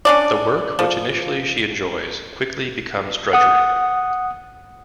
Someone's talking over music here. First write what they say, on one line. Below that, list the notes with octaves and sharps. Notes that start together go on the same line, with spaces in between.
The work, which initially she enjoys, quickly becomes drudgery.
C#4 D4 D5
F3
F#5 D#6